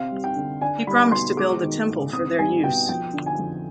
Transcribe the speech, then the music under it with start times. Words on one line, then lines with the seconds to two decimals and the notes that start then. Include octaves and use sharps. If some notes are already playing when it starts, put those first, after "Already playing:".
He promised to build a temple for their use.
Already playing: C3 C4 F5
0.11 G3
0.24 G5
0.37 D3
0.61 D4 G#5
0.87 G3 B5
1.12 B2 C6
1.37 G#3 D6
1.62 D#3
1.88 G#2
2.13 C4 D#6
2.39 G3 G#5
2.63 B2 G5
2.89 F3 G5
3.14 D3
3.26 G#5
3.39 F2